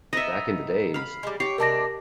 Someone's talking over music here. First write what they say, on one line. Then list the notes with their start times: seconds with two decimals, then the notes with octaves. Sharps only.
back in the days,
0.13 B3 D#4 D#5 E5
0.94 F5 B5
1.23 G3 G#3
1.40 G4 C#5 G5 C7
1.58 C3 G#3 D4 A#4 A5 A#6